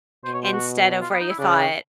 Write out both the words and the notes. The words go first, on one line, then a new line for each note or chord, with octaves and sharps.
instead of where you thought
B2 C5
C#5
C5
F#4
F4
B3
D#4
E4
C#3 D4